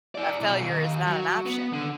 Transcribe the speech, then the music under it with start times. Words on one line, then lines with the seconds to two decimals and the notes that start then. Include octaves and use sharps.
uh, failure is not an option.
0.15 E4 D5
0.41 B1
0.63 D#2
1.07 F#3
1.46 B3
1.73 D3